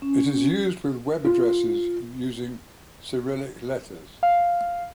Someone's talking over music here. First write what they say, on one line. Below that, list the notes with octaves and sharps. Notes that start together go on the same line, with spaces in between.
It is used with web addresses using Cyrillic letters.
C#4
F4
F5